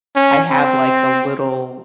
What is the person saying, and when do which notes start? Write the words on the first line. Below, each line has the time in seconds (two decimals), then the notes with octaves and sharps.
I have, like, the little,
0.16 C#4
0.51 C4